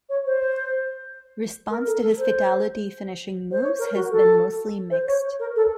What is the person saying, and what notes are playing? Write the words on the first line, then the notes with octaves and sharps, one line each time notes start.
Response to his Fatality finishing moves has been mostly mixed.
C#5
C5
A#4
A4
A4
C5
C5
C#5
A#4
F#4
A4
C5
C#5
A#4
A4